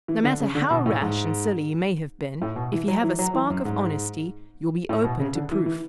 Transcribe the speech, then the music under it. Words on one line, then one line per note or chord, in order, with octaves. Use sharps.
No matter how rash and silly you may have been, if you have a spark of honesty you'll be open to proof.
E3
D3
C#3
D3
B2
A2
G#2
A2
B2
E3
F#3
E3
F#3
E3
F#2
G#2
A2
B2
C#3
D3
E3
E3